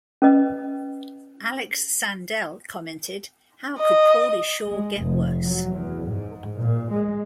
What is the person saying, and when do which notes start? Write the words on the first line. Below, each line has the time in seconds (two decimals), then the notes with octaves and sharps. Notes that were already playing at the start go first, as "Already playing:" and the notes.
Alex Sandell commented How could Pauly Shore get worse?!?
0.22 C#4 B4 D#5
3.79 D#5
4.69 G#3
5.00 F1
5.43 F#3
5.73 E2
6.08 G#2
6.58 A#2
6.91 G#3